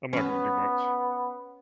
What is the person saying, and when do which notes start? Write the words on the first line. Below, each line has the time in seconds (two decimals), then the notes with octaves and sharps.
I'm not gonna do much.
0.13 B3 C#4 B4